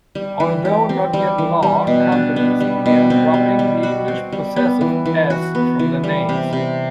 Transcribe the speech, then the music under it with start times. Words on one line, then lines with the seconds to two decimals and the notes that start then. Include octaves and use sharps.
Although not yet law, companies began dropping the English possessive "s" from their names.
0.15 G3
0.40 E3
0.65 G4
0.89 C4
1.13 G3
1.38 E3
1.63 G3
1.87 B2
2.12 D4
2.36 B3
2.60 G3
2.86 B2
3.10 C4
3.34 G3
3.59 G3
3.83 F#4
4.08 C4
4.32 G3
4.56 B3
4.81 E3
5.06 E3
5.30 F#4
5.55 B3
5.79 E3
6.04 G3
6.29 C3
6.53 C3